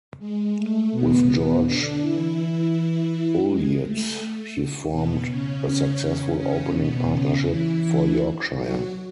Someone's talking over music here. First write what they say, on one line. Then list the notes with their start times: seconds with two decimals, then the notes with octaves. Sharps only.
With George Ulyett, he formed a successful opening partnership for Yorkshire.
0.19 G#3
0.56 A3
0.92 B2 B3
1.65 D3 D4
2.01 E3 E4
3.47 G#3
3.83 A3
4.92 B2 B3
5.28 C#3 C#4
6.37 C#3 C#4
6.74 B2 B3
7.10 C#3 C#4
7.47 E3 E4
7.83 E3 E4
8.55 F#3 F#4